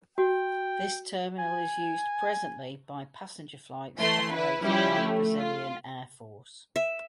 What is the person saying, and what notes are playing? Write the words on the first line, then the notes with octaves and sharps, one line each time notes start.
This terminal is used presently by passenger flights operated by the Brazilian Air Force.
F#4 G5
G#5
E3 A3 C6
E4 B4
F3 G3 C#4 E4 G4
A3
F4
E5